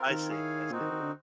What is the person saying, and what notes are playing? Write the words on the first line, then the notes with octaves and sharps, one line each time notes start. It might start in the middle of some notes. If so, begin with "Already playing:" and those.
I see, I see.
Already playing: C4 F4 A#4
D#3
E4 G#4 C#5 F5 G#5
A#2 C4 D#4 F#4
D#3
D#3
D3